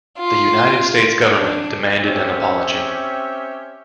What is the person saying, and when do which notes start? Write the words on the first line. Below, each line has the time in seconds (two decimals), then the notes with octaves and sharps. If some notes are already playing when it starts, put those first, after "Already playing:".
The United States government demanded an apology.
0.19 F4
1.35 D4
2.03 C4 C#4 G4 E5